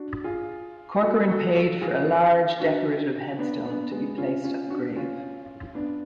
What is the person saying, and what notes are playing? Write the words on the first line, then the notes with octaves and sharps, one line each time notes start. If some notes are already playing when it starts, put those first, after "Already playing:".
Corcoran paid for a large, decorative headstone to be placed at the grave.
Already playing: D4 F#4
F4 G#4
F#4 A4
F#4 A4
F#4 A4
F4 G#4
D4 F#4
B3 D4
B3 D4
G#3 B3
C#4 F4
C#4 F4
D4 F#4
C#4 F4
B3 D4